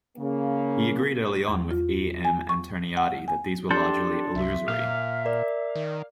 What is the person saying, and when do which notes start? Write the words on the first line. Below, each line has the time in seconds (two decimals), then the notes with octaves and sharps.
He agreed early on with E. M. Antoniadi that these were largely illusory.
0.17 C#3 A#3
1.48 E2
1.71 F4
2.25 G#5
2.49 C#6
2.97 F#5
3.28 G#5
3.71 D4 G4 A4 G5 C6
4.35 C2 E5
4.68 A#2 F5
5.25 A#4 D5
5.76 D#3